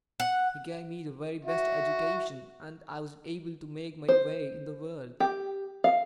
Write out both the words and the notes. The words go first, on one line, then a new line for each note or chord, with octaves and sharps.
He gave me the very best education, and I was able to make my way in the world.
F#5
F#4 E5
C5
G4
F5